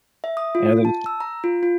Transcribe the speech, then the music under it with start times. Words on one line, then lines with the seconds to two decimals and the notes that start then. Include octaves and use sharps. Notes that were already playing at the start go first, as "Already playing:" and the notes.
and it's
0.24 E5
0.37 D#6
0.55 F4
0.85 A5
1.06 E6
1.20 A#5
1.44 F4
1.63 F4